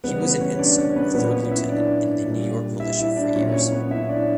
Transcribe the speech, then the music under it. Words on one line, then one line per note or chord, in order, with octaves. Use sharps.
He was an ensign or third lieutenant in the New York militia for years.
C#3 E3 G3 B3 B4
B3 B4
C#4 C#5
D4 D5
C#4 C#5
B3 B4
A#2 F#3 B3 B4
C#4 C#5
E4 E5
D4 D5
A#2 G3
E4 E5
E4 E5
D4 D5
A#2 F#3 C#4 C#5
C#4 C#5
B3 B4
E4 E5
D4 D5